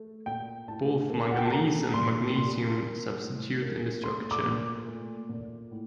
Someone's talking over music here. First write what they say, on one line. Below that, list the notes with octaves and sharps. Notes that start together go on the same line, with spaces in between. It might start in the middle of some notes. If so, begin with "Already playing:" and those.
Both manganese and magnesium substitute in the structure.
Already playing: A3
A#2 G5
A2 A5
A#3
F#5
G5
A5
A3 A#5
A#2 C6
A#2 C6
A#3
A2
A#3
A3 C6
D6
A#2
A3
A#2
A2